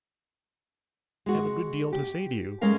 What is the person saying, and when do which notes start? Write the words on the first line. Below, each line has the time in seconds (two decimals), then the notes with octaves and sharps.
I have a good deal to say to you.'
1.26 G#3 F#4
1.93 G4
2.61 G#3 C#4 A4 A#4 F5